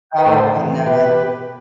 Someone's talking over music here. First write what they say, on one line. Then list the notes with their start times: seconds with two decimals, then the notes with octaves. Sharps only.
Oh, I know.
0.18 B4
0.26 A2 A4 C5
0.57 E3
0.86 B2 G4 B4